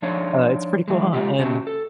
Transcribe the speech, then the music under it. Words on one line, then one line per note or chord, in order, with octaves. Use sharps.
uh, it's pretty cool, ha," and
F3 D4 D#4 C#5
E3 G#3
C3 G#3 A#3 F4 G4
C#3 C#4 F#4 G4
A4